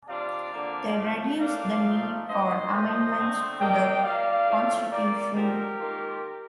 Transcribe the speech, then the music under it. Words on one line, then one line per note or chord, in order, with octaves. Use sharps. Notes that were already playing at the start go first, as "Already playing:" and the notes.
They reduce the need for amendments to the constitution.
C3 G3 D4 F4 D5 F5
D3 F3 A#3
A2 F3 A3
A2 G3 A#3 D4 D5 F5
F3 A3 D#4
G2 D3 F3 C5 D#5
A#2 F3 A3 C5 D#5
D3 A3 C4
C3 G3 A#3 D#5 G5
A#2 G3 A#3 D5 F5
A2 F3 A3
A#2 G3 A#3 A#4 D5
D3 F3 C4 D#4 G4 A#4
D#3 A#3 F4